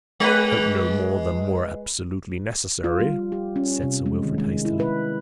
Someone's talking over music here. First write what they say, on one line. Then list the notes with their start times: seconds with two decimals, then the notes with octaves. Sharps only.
"I hope no more than were absolutely necessary!" said Sir Wilfrid, hastily.
0.20 G#3 B4
2.84 F4
3.00 G3
3.32 G4
3.56 C#4
3.82 C3
4.06 G#3
4.24 D#3
4.38 G#3
4.65 E4
4.80 B4